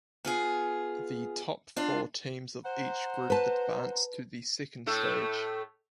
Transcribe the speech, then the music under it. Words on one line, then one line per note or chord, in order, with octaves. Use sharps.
The top four teams of each group advanced to the second stage.
B3 F4 G#4
D4 F4
C5 F#5 A#5
B4 A5
A2 A3 A4